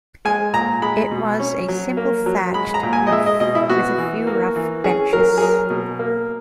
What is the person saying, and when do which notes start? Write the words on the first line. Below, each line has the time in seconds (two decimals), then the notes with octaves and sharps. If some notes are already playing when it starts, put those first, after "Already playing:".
It was a simple thatched roof with a few rough benches.
0.25 G#3 G#5
0.53 A#2 A#5
0.82 G#3 B5
1.11 B2
1.39 C#4
1.68 F#3
1.97 A#3
2.26 F#3
2.54 G#3 B5
2.74 A#5
2.83 A#2
2.93 G#5
3.07 D#5
3.11 G#3 E5
3.26 D#5
3.40 B2 D#5
3.55 E4
3.69 B3 F#4
3.98 E3
4.27 A#3
4.56 E3
4.84 C#4 G#4
5.13 F#3 A#4
5.38 G#4
5.42 F#3 A#4
5.70 B2
5.99 A#3